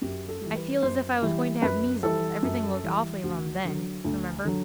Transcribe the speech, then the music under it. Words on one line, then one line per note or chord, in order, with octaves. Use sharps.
I feel as if I was going to have measles; everything looked awfully rum then, remember.'
F#2 G4
A4
E3 G3
B4
F#2 C5
E3 G3
F#2 B4
E3 G3 A4
F#2
E3 G3
D2 F#4
D3 F#3
D2
D3 F#3